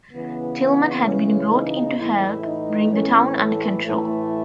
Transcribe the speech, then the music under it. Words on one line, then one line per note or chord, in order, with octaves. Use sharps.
Tilghman had been brought in to help bring the town under control.
C#3 E3 B3
C#4
D#4
A2 E3 E4
D#4
C#4
A3
A2 E3 A3